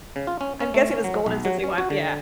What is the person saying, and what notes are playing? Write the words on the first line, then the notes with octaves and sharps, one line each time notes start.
I'm guessing it was Golden since we went yeah.
C#3
F4
C#4
C#4
A3
C#4
F#3
B1
F#3
C#4
F#4
D3